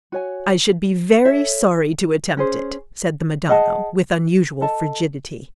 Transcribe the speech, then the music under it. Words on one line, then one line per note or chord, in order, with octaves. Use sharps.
"I should be very sorry to attempt it," said the Madonna with unusual frigidity.
F#4 C#5 G#5
A4 C#5 E5
C#4 G#4 C5
G#4 D#5 F#5 A5
A4 D#5 A5